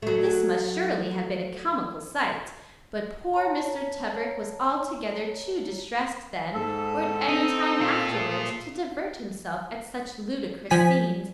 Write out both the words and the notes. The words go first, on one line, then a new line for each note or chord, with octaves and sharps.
This must surely have been a comical sight, but poor Mr. Tebrick was altogether too distressed then or at any time afterwards to divert himself at such ludicrous scenes.
F#3 A3
C#5 A5 A#5
G#2 A4
C4 D#4
A#3 F4
A3 G#4
F3 G#5 B6